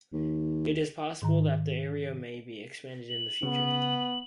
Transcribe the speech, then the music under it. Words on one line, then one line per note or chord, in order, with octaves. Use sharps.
It is possible that the area may be expanded in the future.
D#2
G#2 D#3 A#5
F#7
C#3 B3